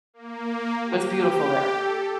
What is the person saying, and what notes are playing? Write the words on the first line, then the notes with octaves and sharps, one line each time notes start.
It's beautiful there.
A#3
G4
A4